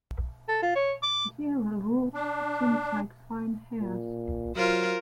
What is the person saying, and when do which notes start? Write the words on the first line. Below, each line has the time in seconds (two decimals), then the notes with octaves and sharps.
The aerial roots seem like fine hairs.
0.49 A4
0.62 F4
0.75 C#5
1.03 D6
2.14 D4
3.81 A#2
4.56 F#3 F4 A#4 C5